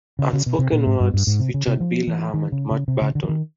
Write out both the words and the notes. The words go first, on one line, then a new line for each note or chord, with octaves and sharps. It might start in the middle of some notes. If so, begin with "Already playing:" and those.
"Unspoken Words" featured Bill Ham and Matt Betton.
C#3
C#3
B2
C3
A#2
G#2
G2
G2
G#2
C3
C#3
C3
F3
E3
D#3
C#3
C#3
C3
C#3
D3
E3
D#3